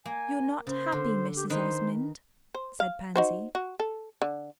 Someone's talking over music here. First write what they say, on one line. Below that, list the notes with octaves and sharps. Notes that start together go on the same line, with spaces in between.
"You're not happy, Mrs. Osmond," said Pansy.
A#3 G#5
C#3 C5
D3
G4
D#3 D#4 B4 C5
C5
F5
D#4 F#4 C5
F#4
A4
D3